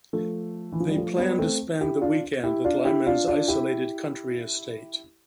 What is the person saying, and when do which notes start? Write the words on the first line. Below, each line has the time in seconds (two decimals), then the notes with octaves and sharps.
They plan to spend the weekend at Lyman's isolated country estate.
0.13 F3 A3
0.72 E3
0.80 F3
0.89 G3
0.97 F3 A3
1.17 G3 B3
1.39 A3 C4
1.81 E4 G4
2.01 D4 F4
2.43 E4 G4
2.64 D4 F4
2.85 E4 G4
3.06 D4 F4
3.27 D4 F4
3.48 E4 G4